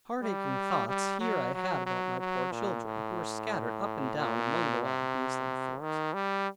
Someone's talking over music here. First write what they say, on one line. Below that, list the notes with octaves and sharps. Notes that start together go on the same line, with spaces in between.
Heart-aching thoughts here I had about my poor children, who were scattered up and down among the wild beasts of the forest.
G3
G3
F#3
F#3
F#3
F#3
A#2
A2
A#2
C3
D#3
G3